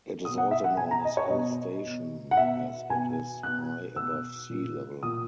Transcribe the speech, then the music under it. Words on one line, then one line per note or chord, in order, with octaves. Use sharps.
It is also known as hill station as it is high above sea level.
B2 D#6
F#5
E5
F#5
B2 G#5
A#5
D#5
C#5
B2 D#5
B2
F#5
B2 E5
B2 G#5
B2 F#6
B2 E6
A#2
A#2 D#6